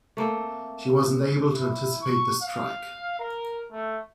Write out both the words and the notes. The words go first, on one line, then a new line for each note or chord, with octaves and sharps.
She wasn't able to anticipate the strike.
A3 A#3 C4
E4
C#6
F5
A#4
A3